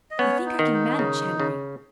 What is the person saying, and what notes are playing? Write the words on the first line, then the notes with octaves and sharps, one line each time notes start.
I think I can manage Henry.
D#5
B3 C#4 C#5
D#4
D#3
D#4
C#3
C#3